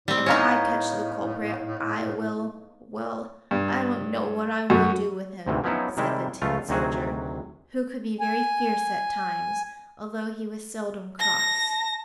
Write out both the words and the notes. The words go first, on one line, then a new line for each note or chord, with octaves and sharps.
"If I catch the culprit, I will--well, I don't know what I will do with him!" said the tin soldier, who could be very fierce at times, although he was seldom cross.
A2 G3 C4
G#3 B3 D#4 C#5 F5 A#5
G2
F#2 A3 F#4
D2 G#2 C3 D#3 E3
F3 F#3 B3 C#4 D#4 E4
C3 D#3 G3 G#3 E4
C#2 C#3 A3 F4 F5
D2 C3 D#3 F#3 F#4 G#4
G#5
A5 A#6